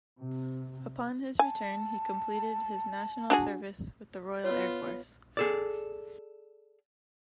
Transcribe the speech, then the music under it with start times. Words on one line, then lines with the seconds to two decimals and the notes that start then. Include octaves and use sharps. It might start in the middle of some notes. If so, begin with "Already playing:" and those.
Upon his return, he completed his National Service with the Royal Air Force.
0.18 C3
1.39 G#5 A5
3.30 D4 F#4 G#4
4.44 B3 F4 C#5
5.37 G#4 A4 D5